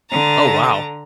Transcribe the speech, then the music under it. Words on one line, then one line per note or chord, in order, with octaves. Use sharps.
Oh, wow.
D3 A#5 A6